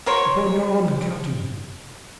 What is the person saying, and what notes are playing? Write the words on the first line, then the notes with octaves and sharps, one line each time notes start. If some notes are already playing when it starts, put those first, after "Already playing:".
"Upon your honour, Captain."
F#4 A#4 C5 C#5